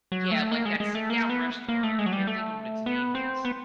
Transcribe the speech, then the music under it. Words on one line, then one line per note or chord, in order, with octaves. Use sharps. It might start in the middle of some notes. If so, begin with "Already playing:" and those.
Yeah, like, that sit down restaurant. I can't think of what its name is.
F#3
A3
A#3
G#3
G#3
A3
A#3
B3
A#3
A3
G#3
F#3
G3
A3
B3
C4
B3